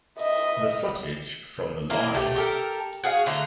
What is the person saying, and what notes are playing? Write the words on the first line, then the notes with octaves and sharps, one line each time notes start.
The footage from the Live!
D#5 E5
A#3 E4 A#4
A3 G4
G4 A4 A#4
F#4 G#4 F5
D3 A3 A#5